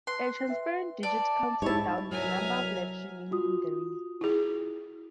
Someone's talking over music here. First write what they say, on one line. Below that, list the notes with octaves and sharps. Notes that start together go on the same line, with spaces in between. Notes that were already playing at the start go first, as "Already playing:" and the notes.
A transparent digit counted down the number of laps remaining in the race.
B4 C6 F#6
B4 E5 G5
D5 A5
G#2 E4 G4 C#5 D#5 A5 C#6
C2 B2 F#3 E5 G#5 A#5 F6
F4 F#4 D#6
E4 G#4